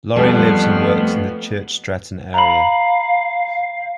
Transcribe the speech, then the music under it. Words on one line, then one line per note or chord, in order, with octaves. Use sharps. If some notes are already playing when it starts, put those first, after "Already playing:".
Laurie lives and works in the Church Stretton area.
F2 G3 A3 B3
F5 A#5 B5